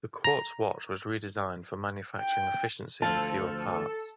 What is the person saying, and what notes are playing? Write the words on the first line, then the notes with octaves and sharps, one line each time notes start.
The quartz watch was redesigned for manufacturing efficiency and fewer parts.
A#5
G5
D2 F3 F4 A4 A5